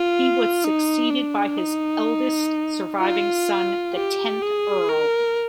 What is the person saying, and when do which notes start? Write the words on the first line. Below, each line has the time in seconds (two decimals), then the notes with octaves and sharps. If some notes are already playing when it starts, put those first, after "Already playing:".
He was succeeded by his eldest surviving son, the tenth Earl.
Already playing: F4
0.64 D#4
1.11 D4
1.57 D#4
3.00 F4
3.95 G4
4.42 G#4
4.89 A#4